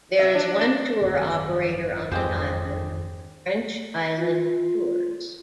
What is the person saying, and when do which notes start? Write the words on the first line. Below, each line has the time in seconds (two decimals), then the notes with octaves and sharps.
There is one tour operator on the island, French Island Tours.
0.19 C3 E5
0.34 D4
0.58 D4
1.01 G#1 F#2 D#3
2.12 F2 G#3 C4 G4 G#4 C5
4.17 F4